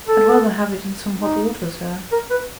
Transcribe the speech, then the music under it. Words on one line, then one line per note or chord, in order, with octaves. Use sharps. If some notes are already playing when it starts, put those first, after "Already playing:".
"I'd rather have it in some hot water, sir."
A4
D#4
A#4
B4